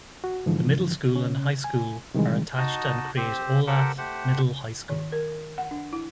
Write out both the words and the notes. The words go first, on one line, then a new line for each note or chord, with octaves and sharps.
The middle school and high school are attached and create Olathe Middle High School.
F#4
G#2 D3 E3 F3
C#3 C#4
G#5
C3 D#3 E3 G3 G#3
D#4 F#4 D#5 A5
C4 G4 C5
G4 A4 A#4 C5 F#5 G5
A3 G4 C5 F#5
D#3
A#4
F#5
D4
E4